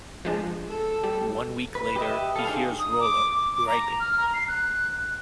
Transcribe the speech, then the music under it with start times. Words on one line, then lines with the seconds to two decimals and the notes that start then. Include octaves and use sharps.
One week later, he hears Rollo griping.
0.25 F3 G#3 D4
0.69 A4
1.03 G3
1.75 B4
1.96 G4 B4 D#5 E5
2.36 A4 F5
2.47 D4 D#4 G4 G#4 C5
2.79 D#6
3.00 D6
3.56 D6
3.67 A#5
4.00 F6
4.18 A#5
4.33 C7
4.48 F#6